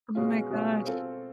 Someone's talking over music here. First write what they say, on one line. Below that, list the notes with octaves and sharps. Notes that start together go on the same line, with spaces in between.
Oh my gosh.
B2 G#3 C#4 F4
B2 G#3 C#4 F4
C4 F4 A4